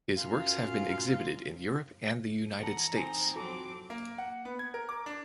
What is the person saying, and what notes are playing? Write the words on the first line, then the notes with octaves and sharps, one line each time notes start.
His works have been exhibited in Europe and the United States.
F#2 F4 F5
E3 A4 F#5 A5 A#5
C4 D#4 A4 G#5 A#5
F#3 C4 F4 A4 A5 D6
A#3
F#5
B3
G#6
A#4
D6
D4